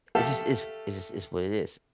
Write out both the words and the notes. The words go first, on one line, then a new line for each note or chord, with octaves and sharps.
it's just it's it just what it is.
A3 G4 A4 E5 F5 A5